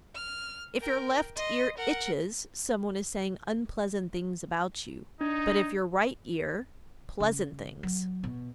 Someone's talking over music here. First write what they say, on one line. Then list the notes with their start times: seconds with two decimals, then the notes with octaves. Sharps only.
If your left ear itches, some one is saying unpleasant things about you; but if your right ear, pleasant things.
0.15 F6
0.81 A#4 G5
1.36 D#5 C6
1.77 A#4 F#5
5.21 D4 D#4 G#6
7.20 C#3
7.83 F#3
8.23 B2